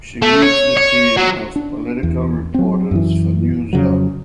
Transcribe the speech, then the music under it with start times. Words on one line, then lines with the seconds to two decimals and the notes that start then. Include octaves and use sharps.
She leads the team of political reporters for "Newshub".
0.22 A3
0.42 C#5
0.77 C#5
1.17 F#3
1.56 D4
2.03 E2
2.54 F#3 C4
2.91 F#2 E3
3.73 F2 C#3 F#3